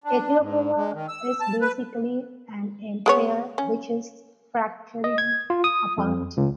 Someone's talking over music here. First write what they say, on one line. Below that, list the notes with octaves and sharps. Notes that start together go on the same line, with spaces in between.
Ethiopia is basically an empire which is fracturing apart.
D4
G#2
G#3
D#3
E6
A5
B4
G#3 B3 C#5
C#4
D#5
G#6
F4
D#6
F2
C#2